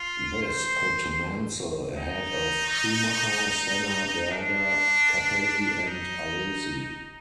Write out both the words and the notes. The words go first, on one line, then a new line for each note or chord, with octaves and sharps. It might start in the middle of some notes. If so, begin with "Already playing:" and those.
This put Mansell ahead of Schumacher, Senna, Berger, Capelli and Alesi.
Already playing: F4
C5
D#4
D4
D#4